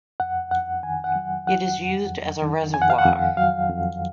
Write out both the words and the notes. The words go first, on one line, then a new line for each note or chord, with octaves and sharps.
It is used as a reservoir.
F2 F#5
F2 F#5
D#3 G#5
F#5
F#3
F#3 F#5
F2
F2
D#3
F2 G#5
F#5
F5
F#5
F2
F#3 F5
F2